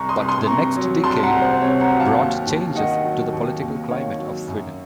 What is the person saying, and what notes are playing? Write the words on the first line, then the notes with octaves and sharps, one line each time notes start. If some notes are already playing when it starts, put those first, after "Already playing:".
But the next decade brought changes to the political climate of Sweden.
Already playing: C2 A#5 C#6
C6 D#6
C2
C6 D#6
C3 A#5 C#6
F#3
C2 A5 C6
F#5 A#5
C2
C5
C3 C#5
F#5 A#5
F#3
F5 A5
D#2
D#2
D#3 D#5 F#5
F#3
D#2
D#2
D#3 C#5 F5
F#3
F#2